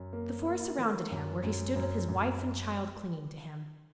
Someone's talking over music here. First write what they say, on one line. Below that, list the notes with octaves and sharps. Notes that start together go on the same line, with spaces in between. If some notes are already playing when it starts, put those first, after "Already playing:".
The four surrounded him, where he stood with his wife and child clinging to him.
Already playing: F#2
A#3
A#3
D#3
F#2
F#2
F#2
F#2